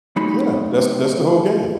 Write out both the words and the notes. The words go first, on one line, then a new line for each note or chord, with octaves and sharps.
Yeah, that's that's the whole game.
F#3 A3 D#4 B5